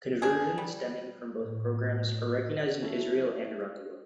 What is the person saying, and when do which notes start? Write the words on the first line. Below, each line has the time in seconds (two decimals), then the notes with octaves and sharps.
Conversions stemming from both programs are recognized in Israel and around the world.
0.22 D4 G#4
0.58 G3
1.41 A2
2.82 C#4 E4 F#4 A4